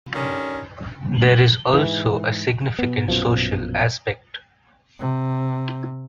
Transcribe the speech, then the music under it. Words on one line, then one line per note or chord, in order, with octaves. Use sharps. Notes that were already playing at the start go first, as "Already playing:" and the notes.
There is also a significant social aspect.
D3 D#3 G3 C#4
G#2 E3
B2 B3
A#1 F#2 B2 F3
C3